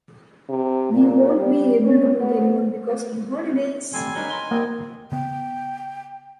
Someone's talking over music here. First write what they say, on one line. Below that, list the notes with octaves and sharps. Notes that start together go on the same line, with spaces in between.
We won't be able to meet anyone because of the holidays.
C3
A#2
G3
C#4
B3
F#2 C3 G3 A3 A4 G#5 C6
F#3 G3 D4 D#4 A#4 B4
D#4 C6
G3 A#3 C4 D#5
C#3 B3 G5